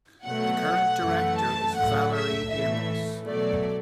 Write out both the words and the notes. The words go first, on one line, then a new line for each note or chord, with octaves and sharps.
The current Director is Valerie Amos.
B2 F#3 A3 F#5
F#2 E3 A3
A5
A2 F#3 A3 F#5
E5
A2 E3 A3 E5
B2 F#3 A3 D5